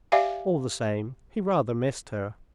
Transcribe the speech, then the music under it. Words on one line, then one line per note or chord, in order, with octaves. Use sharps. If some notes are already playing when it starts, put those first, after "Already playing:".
All the same, he rather missed her.
G4 D5 E5 F5 G#5